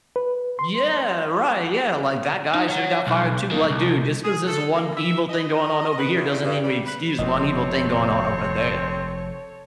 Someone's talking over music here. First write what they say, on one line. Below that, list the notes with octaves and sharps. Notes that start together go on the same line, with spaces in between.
Yeah, right, yeah, like, that guy shoulda got fired too like, dude, just 'cause there's one evil thing going on over here doesn't mean we excuse one evil thing going on over there.
B4
C6
D#4
C#5 F#5
B1
D#3 A#3
C2
G#4
A4
A#3
E5
D#5
B4
E2
G2
G3
B4
F1 C4 A4 C#5 D#5